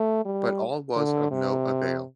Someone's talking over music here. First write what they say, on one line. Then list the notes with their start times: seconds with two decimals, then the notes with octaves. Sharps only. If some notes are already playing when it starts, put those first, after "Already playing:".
But all was of no avail.
Already playing: A3
0.26 G3
0.96 D3
1.31 C3